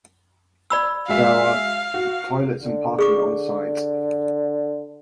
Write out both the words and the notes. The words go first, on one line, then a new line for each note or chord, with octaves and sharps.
There are toilets and parking onsite.
D5 B5 E6
F#3 G#3 E5 F5
F#4
D3
G#4 C#6 D6